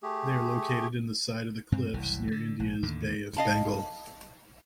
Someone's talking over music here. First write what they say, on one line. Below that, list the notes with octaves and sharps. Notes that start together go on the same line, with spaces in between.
They are located in the side of the cliffs near India's Bay of Bengal.
A3 G4 G#4
G2 C4
F#1 C2 E3
D3 E3
A#1
D#2 A2 D3
D#5 F5 A5